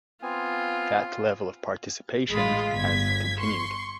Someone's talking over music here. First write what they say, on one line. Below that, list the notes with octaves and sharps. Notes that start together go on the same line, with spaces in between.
That level of participation has continued.
B3 C4 F4 G#5
A1 G#3 F4 B5
G1 G#6 B6
C6 C#6